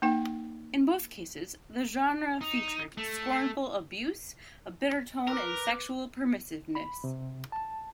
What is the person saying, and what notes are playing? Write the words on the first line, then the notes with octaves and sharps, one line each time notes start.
In both cases, the genre featured scornful abuse, a bitter tone and sexual permissiveness.
A#3 D#4 G5
D#4
A3
A#4 B4 D6
B5
C3
A5